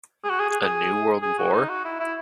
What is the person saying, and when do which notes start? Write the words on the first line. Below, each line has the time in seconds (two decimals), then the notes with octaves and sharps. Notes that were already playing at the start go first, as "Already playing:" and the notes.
A New World War?
0.24 G#4
0.30 F#4
0.39 G#4
0.50 G#4
0.60 G#4
1.22 G#4
1.38 F#4
1.53 D#4
1.69 F#4
1.85 E4
2.00 E4